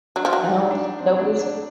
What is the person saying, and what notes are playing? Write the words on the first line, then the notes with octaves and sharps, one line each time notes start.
No nobody's
F#3 D4
F3
F#3
D#4
D4
C4
D4
D4